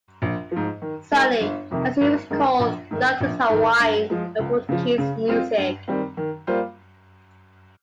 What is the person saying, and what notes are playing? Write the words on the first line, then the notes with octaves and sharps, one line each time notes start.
Sonny, as he was called, loved his Hawaiian and Portuguese music.
A#1
G#2 F3
D#3
G#3 D#4 A#4
G1
F2 C3 D#3
G#1
G2 D#3 G#3 D#4
A#1
G#2 D#3
A#1
G#2 D#3
G2
F3 G#3
C#2
C#3 F3
C#3
G#3 C4 F4
G2
D#3 G3 C4
D#3
G3 A#3 F4 C5